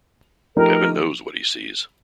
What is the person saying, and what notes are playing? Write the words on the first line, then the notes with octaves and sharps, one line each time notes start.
Heaven knows what he sees.
F3 A3 D#4 G4 A#4